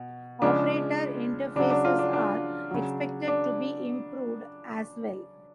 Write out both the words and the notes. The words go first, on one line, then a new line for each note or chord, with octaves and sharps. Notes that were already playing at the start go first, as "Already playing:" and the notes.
Operator interfaces are expected to be improved as well.
Already playing: B2
C#3 F3 G#3 D4
C#3 F#3 D4
D4
F4
D4
D4
C#3 F#3
D4